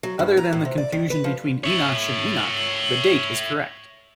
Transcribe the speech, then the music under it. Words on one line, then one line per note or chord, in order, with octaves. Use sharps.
Other than the confusion between Enosh and Enoch, the date is correct.
F#3
G2
A#5
A2
C3
D5
D#3
B4
F3
C#5 E5